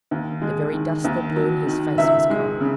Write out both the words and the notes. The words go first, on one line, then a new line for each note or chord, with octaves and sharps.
The very dust that blow in his face was cold.
D#2
G#3
D#3
D#2
F#3
D#3
C#2 E5
G#3
C#3